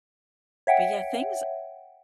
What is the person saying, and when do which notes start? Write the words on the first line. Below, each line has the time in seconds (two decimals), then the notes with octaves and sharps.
but, yeah, things
0.67 C#5 E5 F#5 G5